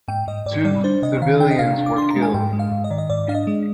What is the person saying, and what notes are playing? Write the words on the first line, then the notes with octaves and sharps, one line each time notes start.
Two civilians were killed.
G#2 G5
G#2 D#5
G#2 D5
G3 D5
D4 C5
C3 D#5
D#3 F5
D4 G5
D#5
C3 F5
D4
D6
D4 C6
A#5
G#3
G#5
G#2 G5
G#3
F5
G#2
D#5
D#3 D5
D#5
G#2 D5
D4 F5
D#5
G#3